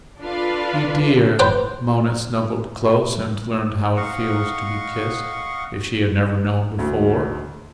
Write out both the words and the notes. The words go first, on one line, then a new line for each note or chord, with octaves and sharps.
"You dear!" Mona snuggled close and learned how it feels to be kissed, if she had never known before.
D4 F4 A4 B4 F5
B4 C5 G5
D#5 F5 F#5 C#6
D2